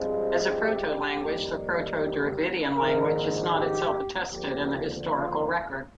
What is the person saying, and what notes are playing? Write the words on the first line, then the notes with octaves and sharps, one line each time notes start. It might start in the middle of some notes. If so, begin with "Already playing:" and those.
As a proto-language, the Proto-Dravidian language is not itself attested in the historical record.
Already playing: G2 F3 G#3 C4
G4
F2 D#3 G3 A#3
G4
A#1 G#2 D#3 A#4
G4
D2 D3 F3 A#3 G4
F4